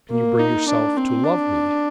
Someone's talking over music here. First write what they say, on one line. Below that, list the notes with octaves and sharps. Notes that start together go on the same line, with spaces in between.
Can you bring yourself to love me?
A#3
D#4
D4
C4
D4